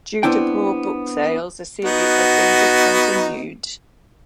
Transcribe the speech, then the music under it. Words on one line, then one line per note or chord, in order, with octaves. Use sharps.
Due to poor book sales, the series has been discontinued.
B3 C4 D4 E4 G5
B3 D#4 F#4